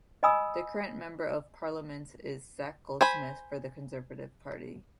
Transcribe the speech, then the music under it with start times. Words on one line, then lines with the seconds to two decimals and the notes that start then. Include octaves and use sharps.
The current Member of Parliament is Zac Goldsmith for the Conservative Party.
0.23 D#5 G#5 B5 D#6 E6
3.01 C5 G#5 B5